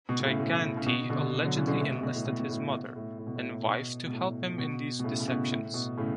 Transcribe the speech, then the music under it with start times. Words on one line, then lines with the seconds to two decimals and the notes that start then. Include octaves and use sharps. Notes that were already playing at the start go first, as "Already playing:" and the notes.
Gigante allegedly enlisted his mother, and wife to help him in these deceptions.
0.09 B2
0.20 B2
0.25 A2 C#3
0.40 A2
0.77 C#3
0.86 B2
1.09 B2 D3
1.45 D3 F#3
1.56 C#3 E3
1.67 B2 D3
1.80 A2
1.90 B2
2.03 B2
2.14 A2
2.25 B2
2.39 B2
2.49 A2
2.72 B2
2.95 A2
3.18 A2
3.27 B2
3.35 A2
3.65 B2
4.07 B2
4.12 A2
4.58 B2
5.00 B2
5.04 A2 C#3
5.20 C#3
5.28 B2
5.50 A2
5.74 B2
5.97 A2 C#3